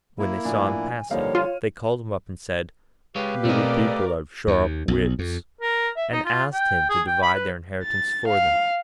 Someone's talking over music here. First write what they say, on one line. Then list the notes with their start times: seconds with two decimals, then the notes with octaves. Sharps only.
When they saw him passing, they called him up, and said, 'Little people have sharp wits,' and asked him to divide their inheritance for them.
0.19 A#3 E4
0.45 A2 F3 D4 G#5
1.11 D3 F3 G3 A#3 D#4 C#5 F5
1.35 F4 F6 D#7
3.16 G#3 G4 B4 C#5 F5
3.45 B2 A3 C4 A#4 D5 D#5
4.47 D#2
4.88 B1
5.19 F2
5.61 A#4
5.97 E5
6.12 D#4
6.25 F4
6.53 G5
6.90 G#4
7.07 G5
7.22 B5
7.34 B4
7.84 A6
8.28 F5